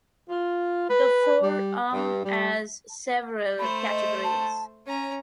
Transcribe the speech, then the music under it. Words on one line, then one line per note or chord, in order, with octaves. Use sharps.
The "Four"um has several categories.
F4
B4
G3
G2
G3
A3 C5 B5
D#5
A5
C#4 C#5 A#5